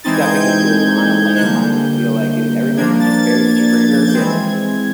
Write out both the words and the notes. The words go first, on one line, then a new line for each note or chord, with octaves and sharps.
stepping into a l on a landmine, I feel like th everyone's just very triggered, and,
E3 G#3 C4 D#4 A6
G#6
G6
G#6
F#6
D3 G3 A#3 G6
F3 A#3 D4 G#6
A6
G#6
A6
G#6
A6
G6
E3 G#3 C4 G#6